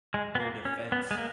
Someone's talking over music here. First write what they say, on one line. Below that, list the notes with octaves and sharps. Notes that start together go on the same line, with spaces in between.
Or defense.
G#3
B3
A#3
C#4
B3
G#3
A#3